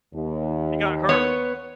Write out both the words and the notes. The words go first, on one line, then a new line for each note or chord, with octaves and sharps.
he got hurt
D#2
B3 C#5